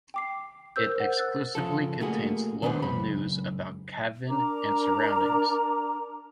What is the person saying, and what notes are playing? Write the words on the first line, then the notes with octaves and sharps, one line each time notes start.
It exclusively contains local news about Cavan and surroundings.
G5 D6 C7
A#4 C5 E6 G6
C5 F#5
E6 F#6 A6
C#3 F3 A4
A3 A#3 F#4 G#4
D#3 B3 D4 B4 C5
C#2 F#2 B5
D4 A#4 A#5 D6